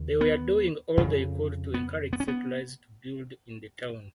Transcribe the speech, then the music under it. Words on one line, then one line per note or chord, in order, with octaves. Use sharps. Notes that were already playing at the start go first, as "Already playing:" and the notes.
They were doing all they could to encourage settlers to build in the town.
Already playing: D#2 C#3
B3
F2 C#3
B3
B3
C#4
B3